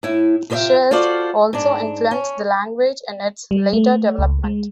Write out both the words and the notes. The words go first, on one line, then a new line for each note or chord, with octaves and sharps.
Czech also influenced the language in its later development.
A2 E4
C3 F4 C5 D#5 E5 G5
F4 F#4 A4 C5 D5 F5
G#2 D4
C#4
G3
A3
C#2
G#3